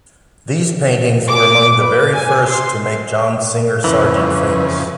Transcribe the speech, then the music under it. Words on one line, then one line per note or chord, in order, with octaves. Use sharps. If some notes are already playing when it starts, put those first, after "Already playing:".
These paintings were among the very first to make John Singer Sargent famous.
D6
B4
G#5
C6
F2 C#3 E3